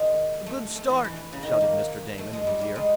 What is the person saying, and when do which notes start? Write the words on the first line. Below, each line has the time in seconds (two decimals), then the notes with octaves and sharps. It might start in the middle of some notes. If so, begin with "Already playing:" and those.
"A good start!" shouted Mr. Damon in his ear.
Already playing: D#3 G#3
0.46 A3
0.75 A3
0.89 E3
1.04 E3
1.33 C#3
1.43 D#3
1.61 A#3
2.18 A3
2.33 G#3
2.47 G3
2.61 G3
2.76 G#3